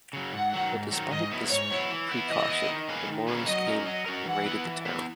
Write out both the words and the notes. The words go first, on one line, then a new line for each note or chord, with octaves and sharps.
But despite this preacaution, the Moros came and raided the town.
C#3 F#3
G#2 F#5
D#3 F#3
G#2
D#3 F#3
G#2 D#5
F#3 B3 E4
G#2 C#5
F#3 B3 E4
E3
B3 E4
E3 D#5
B3 E4
D#3
A#3 C#4 G#4 B4
D#3
A#3 C#4 G#4 B4
F#3 D#5
C#4 F#4 A#4
F#3 D#5
C#4 F#4 A#4
E3 F#5
B3 E4 B4
E3
B3 E4 B4